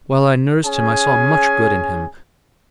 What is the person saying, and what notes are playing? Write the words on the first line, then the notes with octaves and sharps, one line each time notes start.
While I nursed him I saw much good in him.
C#4 G#4 G#5